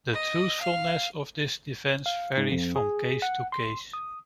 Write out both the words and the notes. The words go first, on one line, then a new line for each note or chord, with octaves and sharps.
The truthfulness of this defence varies from case to case.
D#5
F5
F5
G#2
F2
G#4
F#5
C6
D#6